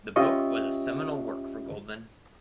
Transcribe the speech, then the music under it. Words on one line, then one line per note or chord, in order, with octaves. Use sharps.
The book was a seminal work for Goldmann.
C#4 F4 G4 D#5 E5 C#6